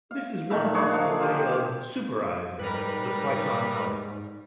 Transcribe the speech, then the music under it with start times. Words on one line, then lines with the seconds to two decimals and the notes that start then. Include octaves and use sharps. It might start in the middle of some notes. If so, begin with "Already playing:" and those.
This is one possible way of "super"izing the Poisson algebra.
0.11 F5
0.50 A#2 D#3 A3 E5
0.74 D4 G#4 C#5
0.92 F3 F#3
1.20 F4 G4
2.59 G#2 G3 A#4 B4